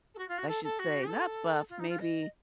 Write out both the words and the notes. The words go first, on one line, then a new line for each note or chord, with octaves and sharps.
I should say. Not buff, maybe
A4
F#4
F4
F#4
A4
A4
F#4
A4
F4
D#4
F4
D#5